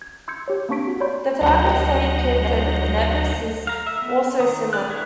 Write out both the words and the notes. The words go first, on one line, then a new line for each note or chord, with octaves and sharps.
The Flag of Saint Kitts and Nevis is also similar.
G#6
C6 E6 G6 G#6 C#7
G4 C#5
A#3 C4 D4 C#6 B6 D7
F#4
C#5 D5 B5 C6 G6
D2 F#3 C5 D#5 F#5 A#5
F5 A#5
E5
B3
D#3 A#5 D#6
C#4 D5 F#6
A#3 D4 E4 C#5